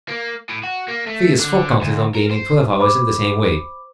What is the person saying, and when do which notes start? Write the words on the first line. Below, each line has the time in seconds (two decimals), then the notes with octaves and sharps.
Phileas Fogg counted on gaining twelve hours in the same way.
0.09 A#3
0.49 A2
0.63 F#4
0.88 A#3
1.07 A3
1.40 D3
1.81 D2
2.15 A#4
2.31 C5
2.80 C5 B5 D6